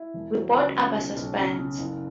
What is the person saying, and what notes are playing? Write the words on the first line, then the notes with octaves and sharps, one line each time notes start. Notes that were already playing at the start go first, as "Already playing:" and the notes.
We both abhor suspense.
Already playing: E4
E1
F#3
C#2
C#4
B1
B1
C#3
C#3
F#1